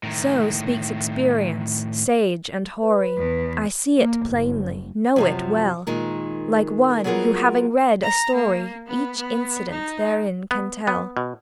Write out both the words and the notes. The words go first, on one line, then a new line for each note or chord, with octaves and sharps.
So speaks experience, sage and hoary; I see it plainly, know it well, Like one who, having read a story, Each incident therein can tell.
A2 D#3
B4
E2
A#3
F#1
F#2 C3 F3
A#2 D#3 G#3
F#3 B3 F4 G#4 A#4 F#5
A#5
A#3
B3
B3
D#4
B3
B3
B2